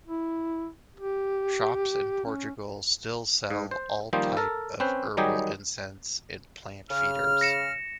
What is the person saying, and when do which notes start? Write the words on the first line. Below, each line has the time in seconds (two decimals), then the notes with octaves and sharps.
Shops in Portugal still sell all type of herbal incense and plant feeders.
0.07 E4
0.96 G4
2.25 C#4
3.50 G#2
3.71 C5
4.13 D#3 F3 G3 A#3 D#4 C5
4.37 A4 A#4
4.80 C4 C#4 B4 C5
5.17 D#3 F#3 G3 D#4 G4 G#4
6.89 C#3 F6
7.41 A#6 C#7 E7